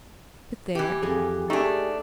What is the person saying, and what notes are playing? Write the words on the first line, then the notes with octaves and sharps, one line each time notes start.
But there!
E3 G4
F2 G#4
A3 D4 D#4 G4 G#4